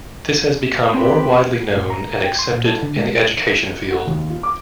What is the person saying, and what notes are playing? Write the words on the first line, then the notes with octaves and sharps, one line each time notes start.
This has become more widely known and accepted in the education field.
C4 G4 B4
A2
A#5
G5
C6
A#2
A4
D3
G#3
F#4
D#2
F4
D6